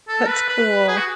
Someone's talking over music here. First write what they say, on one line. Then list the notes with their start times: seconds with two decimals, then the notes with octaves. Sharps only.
That's cool.
0.09 A4
0.28 B4
0.49 B4
0.88 G#4
0.97 F#4